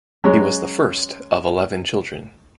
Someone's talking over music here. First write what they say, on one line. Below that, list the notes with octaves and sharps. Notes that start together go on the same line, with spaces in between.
He was the first of eleven children.
F#3 G#3 C#4 C#5 A#5